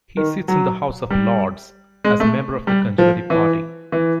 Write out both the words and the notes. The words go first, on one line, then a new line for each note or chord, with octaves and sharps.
He sits in the House of Lords as a member of the Conservative Party.
D#3
F#3
G3
G#3
A3
G3
F3
E3
E3